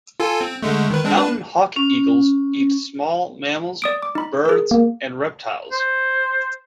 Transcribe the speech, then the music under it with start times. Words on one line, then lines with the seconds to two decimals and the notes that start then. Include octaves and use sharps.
Mountain hawk-eagles eat small mammals, birds and reptiles.
0.20 F4 A4 G#5
0.41 C4
0.62 D3 G#3 A3
0.90 D#3 B4
1.04 G#3 C4 D4
1.16 D4 B4
1.76 C#4
3.82 D5 D#6 D7
4.02 D6
4.15 D#4 B5
4.45 G#4 A#4
4.71 A#3
5.72 C5